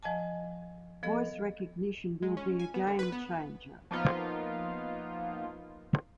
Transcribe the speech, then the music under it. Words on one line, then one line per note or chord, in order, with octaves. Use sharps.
Voice recognition will be a game changer.
F3 D#5 G#5 A5
F3 B3 A4 D#5
G#3
C#4
G#5
B3
D3
B4
B3
F3 A#3 B3 D#4 F4